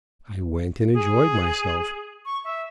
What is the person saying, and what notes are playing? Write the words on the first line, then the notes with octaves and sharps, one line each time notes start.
I went and enjoyed myself.
G#4
C#6
E5